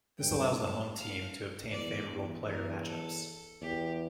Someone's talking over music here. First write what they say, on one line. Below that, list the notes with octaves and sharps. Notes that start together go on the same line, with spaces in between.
This allows the home team to obtain favorable player matchups.
G2 G5
A5
F5
E2 D5
E2
E2 A#4
A4
E2 G4